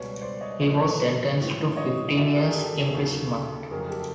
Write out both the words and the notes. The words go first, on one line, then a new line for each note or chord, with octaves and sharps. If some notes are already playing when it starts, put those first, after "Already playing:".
He was sentenced to fifteen years imprisonment.
Already playing: C#2 B2 G3 B4 C#5
C5 D5
C#5 D#5
A#2 F3 A3 C#5 D#5
B4 C#5
A2 F3 G#3
C#5 D#5
D#5
F#2 D3 F#3 A3 D5 E5
G#4 A#4
G4 A4
D#2 C#3 F#3 A3
F2 C#3 F#3 A3 G#4 A#4
G#4 A#4
G4 A4